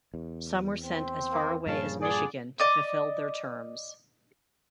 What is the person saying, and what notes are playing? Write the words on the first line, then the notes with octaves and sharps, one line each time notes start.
Some were sent as far away as Michigan to fulfill their terms.
E2
C4
A#3
G2 A#2 C#3 F3 C#5 F5 A5
D3 D4 G#4 D5
D5 D#5